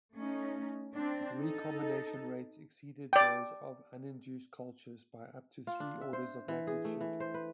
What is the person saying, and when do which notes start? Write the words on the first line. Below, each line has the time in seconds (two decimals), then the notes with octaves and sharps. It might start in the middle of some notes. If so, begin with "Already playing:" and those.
Recombination rates exceeded those of uninduced cultures by up to three orders of magnitude.
0.14 A3 C#4 D#4
0.93 C4 D4
1.39 D#4 A4
3.13 D5 G5
5.67 F4
5.80 D4
6.01 E5
6.13 C5
6.48 E3
6.67 G#4
6.85 A3
7.00 E3
7.20 C5
7.34 B4